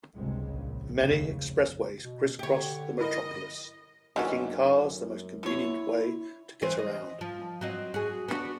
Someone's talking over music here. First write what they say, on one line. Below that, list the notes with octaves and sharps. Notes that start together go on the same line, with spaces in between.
Many expressways criss-cross the metropolis making cars the most convenient way to get around.
G1 C#2 C3 G#3
A#1 C#3
F1 D#2 C#3
B2
D3 G4 C#5
E4 A#4 D#5
F#2 D#3 E3 C#4 D4 F#4
D3 E4 C#5
E3 C4 C5
D#5
F3
F#3 C4 D#5
F#4 G#4
B3 D4 F#4